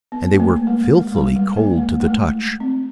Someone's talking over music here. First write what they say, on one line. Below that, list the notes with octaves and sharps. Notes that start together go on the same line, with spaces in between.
And they were filthily cold to the touch.
B3
A3
A#3
G#3
G#3
G3
G#3
A#3
G#3
A3
G#3
C4